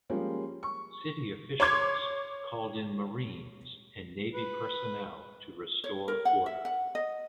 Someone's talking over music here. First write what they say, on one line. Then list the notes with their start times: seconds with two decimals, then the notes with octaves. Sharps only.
City officials called in Marines and Navy personnel to restore order.
0.10 F3 G3 G#3 A#3 C#4
0.63 C#6
1.60 C#5 C6 D6 G#6
4.35 B4
5.84 C#5
6.08 A#4
6.25 F#5
6.46 E5
6.65 F#5
6.95 D#5